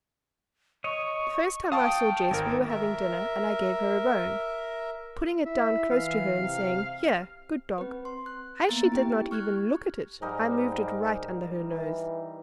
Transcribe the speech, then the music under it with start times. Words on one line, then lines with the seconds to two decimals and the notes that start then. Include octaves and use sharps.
The first time I saw Jess we were having dinner, and I gave her a bone-- putting it down close to her and saying, "Here! good dog!" As she did not even look at it, I moved it right under her nose.
0.84 C#5 D#5 C#6
1.72 F5 G5 A5 C#6 D#6
2.31 G#1 A#4
2.69 A#4 E5
5.45 E4 E5
5.91 E3 F5
6.36 C3
7.78 C4 B4
8.05 C6
8.26 F#6
8.69 A#3 B3 A#5 A6
8.92 E4 G4 G5
9.31 C#6 F6 F#6 G#6
10.22 G#2 G3 D#4 A#4
11.71 E3